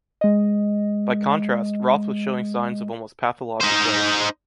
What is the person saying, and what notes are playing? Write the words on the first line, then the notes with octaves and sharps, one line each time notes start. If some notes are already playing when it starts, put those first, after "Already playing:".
By contrast, Roth was showing signs of almost pathologic jealousy.
G#3 D#5
D#4 C5